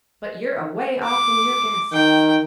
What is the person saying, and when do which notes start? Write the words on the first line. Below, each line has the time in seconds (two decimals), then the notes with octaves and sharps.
But you're away off in your guess.
1.04 D6
1.93 D#3 G5